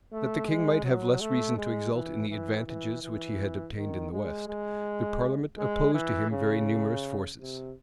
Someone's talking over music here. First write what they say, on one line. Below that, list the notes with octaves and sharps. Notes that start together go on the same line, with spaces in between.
That the king might have less reason to exult in the advantages which he had obtained in the west, the parliament opposed to him very numerous forces.
A3
G#3
F#3
A3
G#3
E3
E3
E3
E3
D#3
G#3
G#3
G#3
E3
C#3
C3